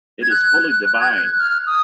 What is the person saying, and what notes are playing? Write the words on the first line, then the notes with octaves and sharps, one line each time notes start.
It is fully divine.
G#6
F#6
G#6
F#6
F6
D#6